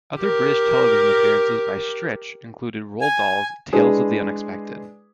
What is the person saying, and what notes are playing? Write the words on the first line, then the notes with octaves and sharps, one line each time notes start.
Other British television appearances by Strich included Roald Dahl's "Tales of the Unexpected".
G4 A#4
G#5
G#3 D4 E4 G#4 B4 C5